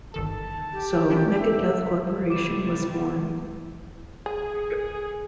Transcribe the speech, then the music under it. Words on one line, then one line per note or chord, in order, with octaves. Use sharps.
So Mega Death Corporation was born.
G1 D#3 A4 A5
G4
C#4 D4 E4
E5
C3 G3 E4 D6 E7
G#4